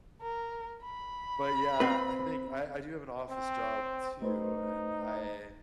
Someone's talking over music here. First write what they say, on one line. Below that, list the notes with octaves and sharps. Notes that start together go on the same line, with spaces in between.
but, yeah, I think I I do have an office job too, and I
A#4
B5
C4 B4
C4
A3 D#4 B4 C5